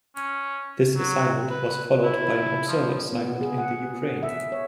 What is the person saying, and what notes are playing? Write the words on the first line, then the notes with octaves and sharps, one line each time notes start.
This assignment was followed by an observer assignment in the Ukraine.
C#4
F#3
B4
E4
F3
B3
G#4
F#5
E5
C#5